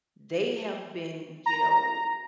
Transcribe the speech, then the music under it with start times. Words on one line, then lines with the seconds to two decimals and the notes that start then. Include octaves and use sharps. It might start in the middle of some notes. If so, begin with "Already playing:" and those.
they have been, you know,
1.46 A#5